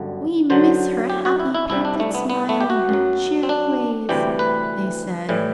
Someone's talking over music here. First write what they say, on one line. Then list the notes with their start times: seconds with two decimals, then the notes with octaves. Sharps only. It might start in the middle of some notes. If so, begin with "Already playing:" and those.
"We miss her happy painted smile and her cheery ways!" they said.
Already playing: G1 F#2 D3 G3
0.50 F#2 D3 F#3 C5
1.10 G4
1.25 F#4
1.40 E4
1.55 E4
1.70 C2 C3 G3 E4
1.85 D4
2.00 A3
2.15 B3
2.30 B3
2.49 A3
2.61 G4
2.70 F#4
2.89 F#2 F#3
3.43 C4
3.49 D4
4.09 D2 C3 E3 G3 G4
4.39 B4
5.29 A2 E3 G3